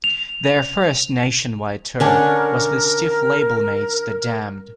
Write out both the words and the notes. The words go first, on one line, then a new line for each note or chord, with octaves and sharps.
Their first nationwide tour was with Stiff labelmates the Damned.
F7
D3 C#4 D4 A#4